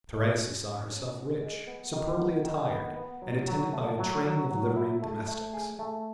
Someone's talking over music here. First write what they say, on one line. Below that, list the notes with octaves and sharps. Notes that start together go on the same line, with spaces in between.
Teresa saw herself rich, superbly attired, and attended by a train of liveried domestics.
G#3
C#4
C#4
C#4
F#4
G#3
B3
D#3
B3
D#3
B3
B3
F#3
F#3
A3
F#3
F#3
F#3
E4
A3
A3
G#4
A3